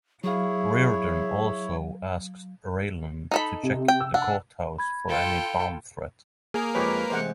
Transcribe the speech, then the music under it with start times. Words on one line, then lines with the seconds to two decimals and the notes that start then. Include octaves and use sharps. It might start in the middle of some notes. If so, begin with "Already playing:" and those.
Reardon also asks Raylan to check the courthouse for any bomb threat.
0.24 F#3 E4 G#4 C#5 F5
3.31 D#4 A4 B5
3.63 C3
3.88 G5
4.00 E6
4.14 D4 F#5
4.78 B5 G#6
5.09 F4 A4 G5
6.54 A#3 G#4 A#4
6.75 F2 G#3 G4 B4 C#5
7.10 A1 C3 G#3 C5 F#5